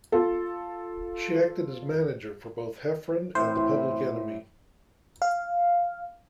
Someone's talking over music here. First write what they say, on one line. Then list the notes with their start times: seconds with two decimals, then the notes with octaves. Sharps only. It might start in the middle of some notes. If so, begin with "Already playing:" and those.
She acted as manager for both Heffron and The Public Enemy.
0.12 F4 A4
3.35 A2 E3 C4 E4 C5
5.22 F5